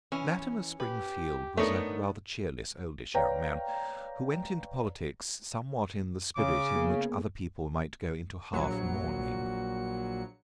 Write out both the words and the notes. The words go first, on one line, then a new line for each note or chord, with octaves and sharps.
Latimer Springfield was a rather cheerless, oldish young man, who went into politics somewhat in the spirit in which other people might go into half-mourning.
E3 C#4
G4 B4
A3 B3 D4 D#4 A#4 C#5
B4 C#5 D5 F5 G5 A#5
C#3 D6
A#3 B3 G#4
A#1 F#3 C#7